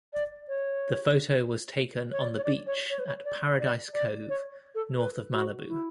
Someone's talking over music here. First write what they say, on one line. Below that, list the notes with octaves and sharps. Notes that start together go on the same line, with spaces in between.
The photo was taken on the beach at Paradise Cove, north of Malibu.
D5
C#5
C#5
D5
C#5
D5
C#5
C#5
B4
C#5
D5
D5
D5
C#5
A4
B4
F#4
E4